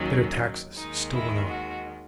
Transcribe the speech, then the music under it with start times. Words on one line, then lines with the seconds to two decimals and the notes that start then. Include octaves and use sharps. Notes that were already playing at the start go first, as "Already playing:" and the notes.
The bitter taxes still went on.
Already playing: D#2 D#3 F#3 C#4
0.78 D#2 D#3 G#3 D#4
1.14 E4
1.49 F#4